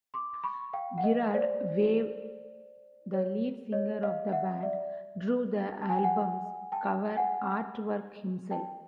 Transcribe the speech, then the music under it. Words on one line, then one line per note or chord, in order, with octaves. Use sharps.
Gerard Way, the lead singer of the band, drew the album's cover artwork himself.
C6 D6
B5 C#6
F5 G5
F#5
D#5 F5
C5 D5
C#5
C#5 D#5
D#5 F5
E5 F#5
D5 E5
A5
G#5
G5
F#5 G#5
G5 A5
F#5 G#5
G5 A5